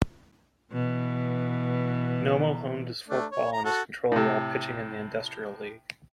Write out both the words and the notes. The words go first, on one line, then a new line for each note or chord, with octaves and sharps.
Nomo honed his forkball and his control while pitching in the Industrial League.
B2 E3
A3 D4
C#5
A#5
F#4 A4
A2 C3